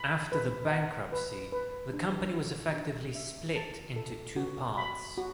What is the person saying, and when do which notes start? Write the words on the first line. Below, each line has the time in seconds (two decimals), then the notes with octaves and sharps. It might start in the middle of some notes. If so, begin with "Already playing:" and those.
After the bankruptcy, the company was effectively split into two parts.
Already playing: B5
0.32 B4
0.72 F#5
1.12 B4
1.52 B4
1.94 D4
2.34 F#4
2.74 D4
3.15 E5
3.56 A5
3.96 A4
4.36 F#4
4.77 B5
5.18 F#4